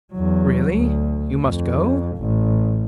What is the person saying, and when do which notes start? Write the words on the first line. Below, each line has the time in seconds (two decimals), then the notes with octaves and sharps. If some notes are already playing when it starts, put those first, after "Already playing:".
Really--you must go?
0.13 E2 F#3
0.74 D2
1.43 F2
2.17 A1